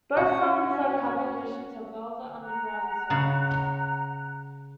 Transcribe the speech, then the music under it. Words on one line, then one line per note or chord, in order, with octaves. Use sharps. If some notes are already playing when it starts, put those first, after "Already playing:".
Both songs are cover versions of Velvet Underground songs.
C#4 F#4
F#5 A#5 F#6
C#3